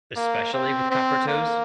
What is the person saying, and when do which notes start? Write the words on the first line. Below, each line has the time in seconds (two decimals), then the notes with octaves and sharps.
Especially with copper toes?
0.16 A#3
0.53 C4
0.91 C4
1.28 A#3